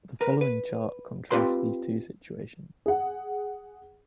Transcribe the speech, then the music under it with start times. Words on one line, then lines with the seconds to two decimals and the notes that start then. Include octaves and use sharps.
The following chart contrasts these two situations.
0.21 A#4 B4
0.41 B4
1.31 C4 F4 G4 B4 C6
2.86 G#4 F#5